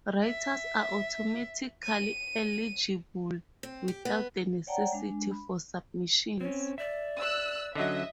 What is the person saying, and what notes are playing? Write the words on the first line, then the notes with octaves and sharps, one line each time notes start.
Writers are automatically eligible without the necessity for submissions.
E5
D#7
C4
G4
B3
C#5 D5 F#5 G5 A5 A#5
G#3 D4
B5
C4 C#4 C#5
D5 E5
E6 F#6
D3 F#3 C#4 D#5 E5